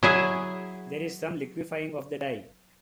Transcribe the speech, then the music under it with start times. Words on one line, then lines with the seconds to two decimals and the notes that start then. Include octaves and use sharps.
There is some liquefying of the dye.
0.03 F#3 E4 G#4